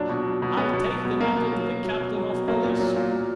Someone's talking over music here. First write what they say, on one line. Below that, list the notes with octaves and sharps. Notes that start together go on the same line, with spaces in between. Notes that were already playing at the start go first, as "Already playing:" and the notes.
I'll take the matter to the captain of police.
Already playing: A#2 F#3 D4
B2
F#3
B2
F#3 B3
B2
F#3
B2
F#3 A#3
B2
F#3
B2
F#3
B2
F#3
B2
F#3 A#3
A#2
F#3
A#2
F#3